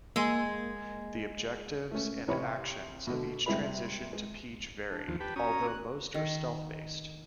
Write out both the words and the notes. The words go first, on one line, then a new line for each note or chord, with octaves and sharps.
The objectives and actions of each transition to Peach vary, although most are stealth-based.
G#3 A#3 G#5 C6 E6
A3 C#4
A1 C3 C#5 B5
B2 D3
C3 G3 G#3 E5 B5
G#3
D4
D#2 F3
G4 B4 A5
C#4 F#4 A#5 D#6
F#6
D#3